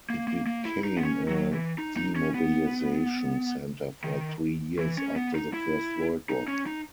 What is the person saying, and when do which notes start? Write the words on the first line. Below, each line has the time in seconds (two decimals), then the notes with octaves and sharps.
It became a demobilisation centre for three years after the First World War.
0.10 A#3
0.28 A#3
0.47 A#3
0.65 E4
0.84 D#4
0.97 B3
1.03 C#4
1.28 F#3
1.53 E3
1.78 D#4
1.97 D#4
2.16 C#4
2.34 B3
4.04 D#3
4.79 E3
4.98 C#4
5.16 B3
5.35 D#4
5.54 E4
6.29 D#4
6.48 C#4
6.67 D#4